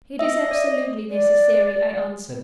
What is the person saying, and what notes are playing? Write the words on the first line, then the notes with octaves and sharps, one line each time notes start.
"It is absolutely necessary," I answered.
D#5 E5
D5
D5